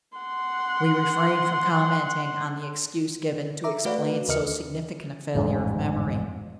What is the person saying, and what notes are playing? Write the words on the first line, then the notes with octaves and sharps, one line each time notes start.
We refrain from commenting on the excuse given to explain so significant a failure of memory.
F#5 C6
E5 A#5 D6
A3 F#4 B4 D5 F5 F#5
D#2 C#3 A#4 D#5 F6 C#7
A1 F2 G#2